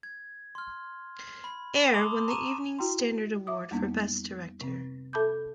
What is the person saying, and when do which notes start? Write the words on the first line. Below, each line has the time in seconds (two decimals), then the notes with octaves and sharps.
Eyre won the Evening Standard Award for Best Director.
0.03 G#6
0.55 C6 F6
1.44 B5
1.94 A5 B5 C6 D6 D#6 F7
2.28 A5 A#5 C6 C#6 D#7 E7
2.79 E4 F#4 G5 A#5 C6
3.47 E5 D6 D#6
3.71 F2 G3 A#3 B3 D4
4.61 C3 C4
5.13 A4 E5 A5 B5 D6 G6